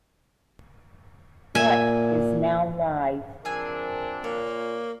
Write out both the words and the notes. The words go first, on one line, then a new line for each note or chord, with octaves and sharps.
What is now Live!
A#2 E5 G#5
F3 C4 D4 G#4 A#4 E5 G#5
A#2 A#3 C#5